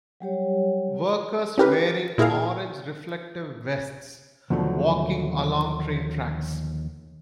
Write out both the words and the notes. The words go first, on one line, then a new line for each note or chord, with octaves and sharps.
Workers wearing orange reflective vests walking along train tracks.
F#3 G3 G4 C#5
C#4 E4 G4 A#4 B4
A#2 E4 G#4 A#4 F5
D#2 B2 D3 F3 F#3 A3